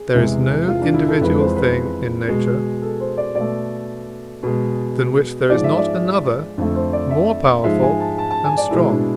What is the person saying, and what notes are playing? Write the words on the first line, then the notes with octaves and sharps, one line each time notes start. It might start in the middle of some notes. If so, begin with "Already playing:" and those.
There is no individual thing in nature, than which there is not another more powerful and strong.
Already playing: G#4
E2 C3 G#3
F4
D4
E4
A4
F2 E3 G#3 B4
C5
B4
B2 G#3
A4
C5
D5
B2 D5
A3
B2 G#3
G#2 F3 G#3 D5
E5
D5
F2 D3 A3
C5
D5
E5
G#2 F3 G#3 E5
G#5
A5
A5
A5
G#5
D5
B2 G#3 E4
D4